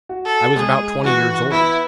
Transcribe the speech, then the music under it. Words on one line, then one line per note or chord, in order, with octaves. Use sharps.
I was about twenty years old.
F#4
A4
G#3 G#4
E3 F#4
B3 E4